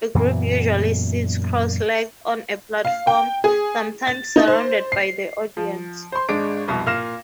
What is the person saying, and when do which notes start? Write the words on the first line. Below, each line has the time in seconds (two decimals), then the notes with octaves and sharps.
A group usually sits cross-legged on a platform, sometimes surrounded by the audience.
0.15 F#2 A#2 E3 B3
2.85 F5
3.07 G5
3.44 G#4
4.07 A6
4.36 D#4
4.48 C5
4.92 C7
5.57 F3
6.12 C5 C6
6.29 G#1 G#3 D4 D7
6.67 F1 C2 B2
6.86 A#2 F5 F6 A#6 E7